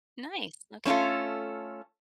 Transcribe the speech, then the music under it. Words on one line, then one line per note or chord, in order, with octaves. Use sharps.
Nice, okay.
A3 C#4 D#4 F4 A4